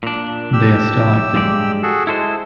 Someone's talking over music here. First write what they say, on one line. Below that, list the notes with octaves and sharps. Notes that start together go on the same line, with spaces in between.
They are still active.
A#2 D4
G4 E6
G2 G#3 D5
F#4 G#4 A4
G#3 E4 A4 C5